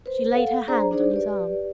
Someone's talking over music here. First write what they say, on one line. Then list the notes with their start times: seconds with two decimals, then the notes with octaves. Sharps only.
She laid her hand on his arm.
0.06 B4 C5
0.34 A4 F5 F#5
0.68 D4 G#4 C5 D5 A#5
0.91 D4 D#4 G#4 C5 D5
1.11 G4 B4 D5